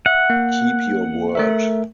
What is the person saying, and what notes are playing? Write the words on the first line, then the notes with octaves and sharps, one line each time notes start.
Keep your word.
E5 F#5
A#3
A3 A#4 E5